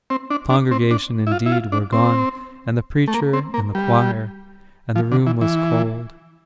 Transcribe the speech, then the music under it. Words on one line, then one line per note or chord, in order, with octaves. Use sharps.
The congregation, indeed, were gone, and the preacher, and the choir; and the room was cold.
C4
D4
D4
C4
D4
E4
F4
E4
F4
D4
C4
A3
A#3
C4
A#3
G3
F3
D3
E3
E3